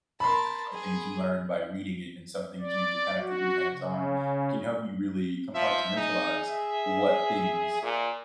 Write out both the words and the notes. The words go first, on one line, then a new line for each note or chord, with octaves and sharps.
There's some things you learn by reading it, and some things you just kinda have to do hands on, it can help you really compartmentalize what things,
A#4 A5 B5 C6
G#4
D5
F#4
C#3
F3 E5
D#4 G#4
E5
A#2